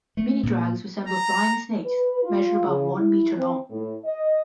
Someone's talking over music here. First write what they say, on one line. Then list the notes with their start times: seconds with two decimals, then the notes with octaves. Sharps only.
Minidrags resemble flying snakes, measure about one meter long.
0.17 A3
0.43 A#2
1.08 A#5
1.85 B4
2.23 F4
2.66 C#3
2.96 E4
3.35 C4
3.70 A2
4.05 D#5